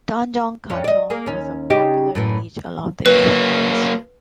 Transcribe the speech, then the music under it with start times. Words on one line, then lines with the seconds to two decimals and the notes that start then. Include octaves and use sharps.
"Tanjong Katong" was a popular beach along the East Coast.
0.70 F2 C#4
0.84 D5 D#5
1.10 A#3 G#4
1.26 D#2 C#4
1.70 C#3 D#4 G4
2.15 F#2 A2 E3
3.06 F#3 A#3 B4